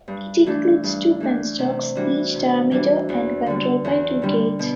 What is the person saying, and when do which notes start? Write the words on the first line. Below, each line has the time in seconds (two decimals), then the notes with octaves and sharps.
It includes two penstocks, each diameter and controlled by two gates.
0.08 G2
0.46 E3 A3 D4
0.83 G2
1.20 E3 A3 D4
1.59 C3
1.95 E3 G3 D4 F#4
2.34 C3
2.71 E3 G3 D4 F#4
3.09 E2
3.46 D3 G3
3.85 E2
4.22 D3 G3
4.59 B2